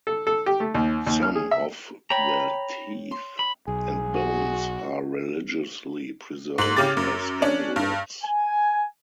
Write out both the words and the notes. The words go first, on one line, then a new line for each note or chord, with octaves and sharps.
Some of their teeth and bones are religiously preserved as amulets.
A4
A4
G4
A3
D#2
D#2
F6
G#4
E5
C#5 G5 A#5 B5
C6
B5
B1 G#4
F#4
G#2 F#7
C#3 C#4 G4 D6 A6
F#2
C#4 D4
G2
G#5